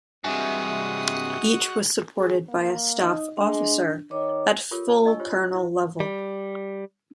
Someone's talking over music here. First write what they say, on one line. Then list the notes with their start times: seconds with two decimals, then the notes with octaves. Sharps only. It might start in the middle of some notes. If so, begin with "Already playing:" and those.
Each was supported by a staff officer at full colonel level.
0.24 G2 C3 G#3 F#4 E5 G#5 C#6 D#6
2.17 G#4
2.49 A#3
2.99 D#4 D#5
3.37 G#3 D4
4.11 D#3 C#5 D#5 D6
4.71 F4 G4 A4 A#4 C#5
4.88 C#5 A5
5.05 D4 D#5 G#5 C#6 E6
5.20 F4 G4 C5 C#5
5.54 E4 C5
6.00 G3